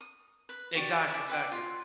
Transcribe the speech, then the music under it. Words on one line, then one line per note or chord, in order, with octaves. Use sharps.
Exactly. Exactly.
D#6
B4
F#4 G4 D5
D5 E5 B5 D6
B4 G5 D6
F4